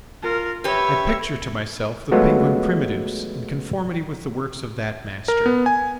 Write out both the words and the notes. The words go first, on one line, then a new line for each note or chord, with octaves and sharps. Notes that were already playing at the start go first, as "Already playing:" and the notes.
I picture to myself the Penguin primitives in conformity with the works of that master.
F4 A#4
G4 B4 C#5 E5
F#3 G#3 A3 B3 F4 F#4
A#4
B3
G#5